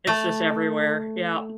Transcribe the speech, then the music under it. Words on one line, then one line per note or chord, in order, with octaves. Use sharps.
It's just everywhere, yeah.
A3